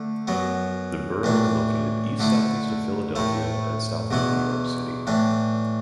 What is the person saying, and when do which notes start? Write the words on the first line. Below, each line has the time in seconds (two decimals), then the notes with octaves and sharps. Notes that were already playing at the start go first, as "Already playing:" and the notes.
The borough is located east-southeast of Philadelphia and south of New York City.
Already playing: D3 A3
0.27 F#2 F#3 B3
1.23 A2 E3 D4
2.20 D3 A3 E4
3.16 A2 A3 E4
4.11 E2 B2 B3 E4
5.07 A2 E3 D4